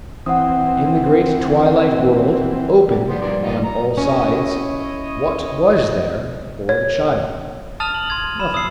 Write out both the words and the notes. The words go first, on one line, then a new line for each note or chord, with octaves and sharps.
In the great twilight world, open on all sides, what was there for the child? Nothing.
E3 C4 F#5 D#6
B3 D4 G4
G2 F3 G3 B3 C5
D#3 D5 C6
B3 D#4 F4
A#5
C#4 E4 C#5 D#5
C#5
A5 D#6 F6 A6 D#7 F7
F#7
C6 G#6
B5 E7
D#6 E6 C7